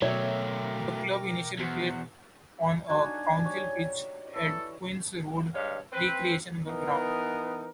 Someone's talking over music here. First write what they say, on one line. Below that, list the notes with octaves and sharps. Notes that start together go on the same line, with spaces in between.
The club initially played on a council pitch at the Queen's Road recreation ground.
B2 F#3 A3 A#4 C#5 E5 G5 D6
E2 F#4 C5 F#5
D4 D#4 F#4 G#5
G4 C#5
E3 A4
G2 G#3 C#5 F5
C4 B4
E3 B3 D#4 A#4